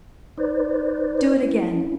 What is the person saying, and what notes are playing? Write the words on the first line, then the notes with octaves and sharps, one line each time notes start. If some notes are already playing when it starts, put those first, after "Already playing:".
Do it again!
D#4 B4 C5 D5
C#4 E4